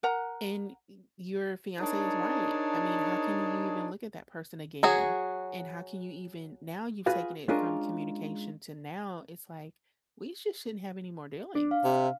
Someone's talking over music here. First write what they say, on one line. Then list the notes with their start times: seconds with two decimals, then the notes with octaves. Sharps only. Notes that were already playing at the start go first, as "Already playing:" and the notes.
and y your fiance is right, I mean, how can you even look at that person again? And how can you even now you've taken it from communication to now, it's like, we sho shouldn't have any more dealings.
0.03 A#4 F#5 A#5
1.80 D4 D#4 G#4 A#4 C#5 A5
4.83 F#3 F#4 G#4
7.06 F4 F#4 G#4 B4 F5
7.48 G#3 C#4 D4 F4 G#4 A#4
11.55 D4
11.71 F5
11.84 C3